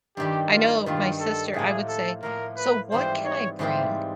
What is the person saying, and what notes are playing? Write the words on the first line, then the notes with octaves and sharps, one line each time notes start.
I know my sister I would say, "So, what can I bring?
G2 D#3 G3 G4
F4
G2 D#3 G3 F4
A4
A2 F3 A#3 G#4
A4
A2 F3 A#3 A#4
B4
G#2 E3 G3 C4 F4 C5
C#5
G#2 E3 G3 C4 F4 C5